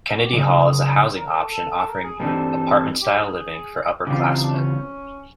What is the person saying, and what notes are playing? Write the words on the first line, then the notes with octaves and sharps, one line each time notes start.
Kennedy Hall is a housing option offering apartment-style living for upper classmen.
F#4
G4
F#2 C#3 D#4 G#4
A#4
A4
A4
A4
A#4
G#4
G2 E3 G3 C4 D#4 A4
G4
G#4
C#3 E3 G3 C4 F4 G4
D#4
D#4
D4
C#4